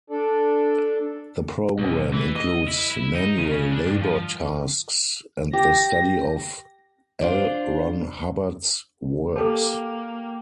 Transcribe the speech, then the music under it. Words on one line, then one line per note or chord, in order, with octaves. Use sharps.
The program includes manual labor tasks and the study of L. Ron Hubbard's works.
D4 A4 D5
B1
E3
D#5
E4
E4
D#4
C#3
D4
G2
F3
G4 A#6
D4 F4 C5
A#3 G4 A4 A5